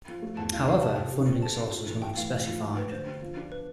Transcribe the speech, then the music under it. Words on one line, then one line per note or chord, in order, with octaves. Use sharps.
However, funding sources were not specified.
F3
A3
E2 A5
E4 F5
B4 F5
C3 A5
F2
G4
C4
A4 A5
A4
F4
E3
A3 G5
E3 F5
A3
F3
A3
B4
D3 C5
D4
F3
D4
B4